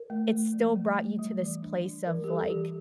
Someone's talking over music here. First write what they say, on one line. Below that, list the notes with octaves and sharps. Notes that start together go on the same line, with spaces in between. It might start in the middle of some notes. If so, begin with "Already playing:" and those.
it still brought you to this place of, like
Already playing: A#4
A3
A3
F3
A3
A3
G3
E3
D4
D4
E3 A#4
G4
G3 A4
E3 G4